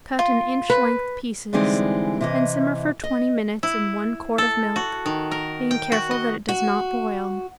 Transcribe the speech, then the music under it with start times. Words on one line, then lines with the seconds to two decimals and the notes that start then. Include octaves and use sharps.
Cut in inch length pieces and simmer for twenty minutes in one quart of milk, being careful that it does not boil.
0.19 F4
0.70 B4
1.53 D3 E3 G3 G#3 C4 D#4
2.21 C3 E3 D#5
3.04 D#5
3.63 E4
4.38 A4
4.76 F#4
5.06 D#3
5.31 A#4
5.71 G5
5.92 F#4
6.11 D#5
6.49 F#4